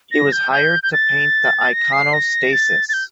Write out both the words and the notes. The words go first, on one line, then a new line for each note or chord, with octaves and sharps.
He was hired to paint the iconostasis.
A#6
G6
G6
G6
A6
A#6
C7
A#6
A6
A6
G6